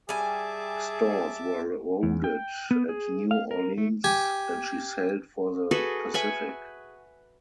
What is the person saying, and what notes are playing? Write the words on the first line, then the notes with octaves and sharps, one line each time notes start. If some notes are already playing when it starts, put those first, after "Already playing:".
Stores were loaded at New Orleans and she sailed for the Pacific.
G3 G#4 E5 G#5 A5 D6
E2
G5
B3
G#4
F5
A#4
A3
G4 G#5
F#4 G#4 A4 B4
B4 E5 G#5 C#6